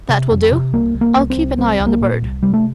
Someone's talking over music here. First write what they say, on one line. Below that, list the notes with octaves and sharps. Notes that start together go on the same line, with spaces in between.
"That will do; I'll keep an eye on the bird."
C3
F2
C3
C2 A#3
C2
A#3
C2
C4
C2
C2 C4
C2
A#3
A#2
C2
C3 G3
A3